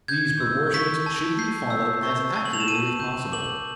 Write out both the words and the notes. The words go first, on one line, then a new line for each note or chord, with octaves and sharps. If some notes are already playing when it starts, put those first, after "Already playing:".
These proportions should be followed as accurately as possible.
G6 G#6
E6
C#6 B6
A5
G6 C7
E6
C#6
A5
F#7
F7
E7
A5 D#7
G6
D6 F#7